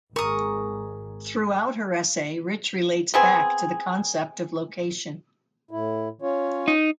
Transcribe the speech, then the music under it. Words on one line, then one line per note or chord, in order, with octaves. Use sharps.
Throughout her essay, Rich relates back to the concept of location.
G#1 G#4 A#4 C#6 D#6
B3 C4 G#4
A2 E4
C#4 F4 C#5
D#4